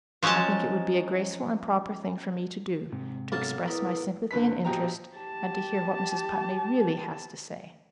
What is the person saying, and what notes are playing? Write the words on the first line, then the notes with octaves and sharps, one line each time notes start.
I think it would be a graceful and proper thing for me to do, to express my sympathy and interest, and to hear what Mrs. Putney really has to say.
F3 F#3 G#3 C#4 A5
G#2 C3
B1 A#3 A5
E4 A#4 B4 D#6
F#1 D3 B4 B6
A#1 B2 G4 A#5
G4 A5